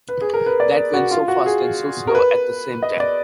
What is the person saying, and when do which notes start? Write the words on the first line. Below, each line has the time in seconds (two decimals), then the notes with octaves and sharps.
That went so fast and so slow at the same time.
0.09 B4
0.21 G#4
0.34 A#4
0.46 B4
0.60 D5
0.93 F#4
1.11 F4
1.28 F#4
1.46 G#4
2.07 A#4
2.15 B4
2.82 D#5
3.00 D5